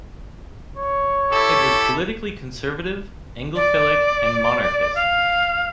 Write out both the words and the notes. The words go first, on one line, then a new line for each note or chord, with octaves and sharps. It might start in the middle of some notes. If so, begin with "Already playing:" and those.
It was politically conservative, Anglophilic, and monarchist.
C#5
E4 G4 A4
D5
F5